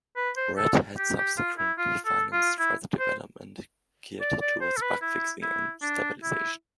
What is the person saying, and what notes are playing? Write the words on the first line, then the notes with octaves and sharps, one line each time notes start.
Red Hat subsequently financed further development geared towards bug-fixing and stabilization.
B4
C5
A4
G4
G4
F4
E4
F4
A4
F4
E4
C5
D5
D5
C5
A4
B4
E4
E4
D4
E4